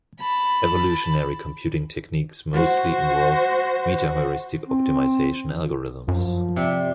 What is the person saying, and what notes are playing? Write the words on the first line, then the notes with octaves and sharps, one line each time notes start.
Evolutionary computing techniques mostly involve metaheuristic optimization algorithms.
A5 B5
F#4 C5
C4
F#2 F3
C3 G3